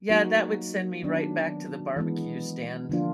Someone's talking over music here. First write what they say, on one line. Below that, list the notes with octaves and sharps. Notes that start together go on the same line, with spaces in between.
Yeah, that would send me right back to the barbecue stand
F#3 A#3 D#4 F#4
D#3 F#3 B3 D4
E3 G#3 B3
D3 F3 A#3 D4 F4